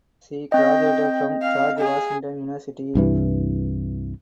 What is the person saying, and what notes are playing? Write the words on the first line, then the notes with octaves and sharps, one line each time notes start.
She graduated from George Washington University.
C4 D#5 G5
F5
G#4
C2 G2 E3